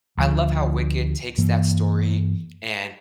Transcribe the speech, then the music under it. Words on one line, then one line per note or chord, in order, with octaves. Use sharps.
I love how Wicked takes that story and
D2 D3 F3
G2 E3 A#3